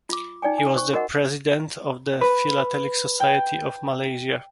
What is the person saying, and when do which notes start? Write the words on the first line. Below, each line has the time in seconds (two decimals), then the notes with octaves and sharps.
He was the president of the Philatelic Society of Malaysia.
0.09 F4 D6
0.42 D#4 D5 G5 G#5
0.58 G#5
0.76 C5 C#6
0.93 F#4 A#4 D#5 F#5
2.21 B4
3.20 G5